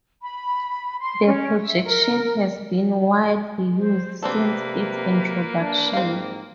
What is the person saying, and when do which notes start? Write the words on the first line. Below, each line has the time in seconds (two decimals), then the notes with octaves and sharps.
The projection has been widely used since its introduction.
0.23 B5
0.99 C6
1.27 C#4
1.62 E5
1.87 A#4
3.79 C5
4.23 C3 A#3 C4 D4 A4 B4
5.61 D4
5.93 G#2 C4 F5